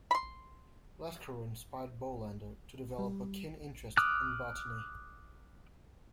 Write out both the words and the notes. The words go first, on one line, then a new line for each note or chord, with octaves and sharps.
Lesquereux inspired Bolander to develop a keen interest in botany.
B5 C6
G3
D6 D#6 F6 F#6